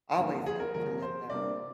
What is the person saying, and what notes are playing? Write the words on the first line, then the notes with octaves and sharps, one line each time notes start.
always help to lift our mood.
G2 D3 F3 A#3
G#4
A#4
G2 D3 F3 A#3 A#4
C5
C3 G3 A#3 D4 D5